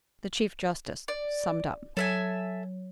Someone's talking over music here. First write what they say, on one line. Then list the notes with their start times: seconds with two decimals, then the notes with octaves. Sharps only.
The chief-justice summed up.
1.08 D5
1.97 F#3 A4 E5 G#5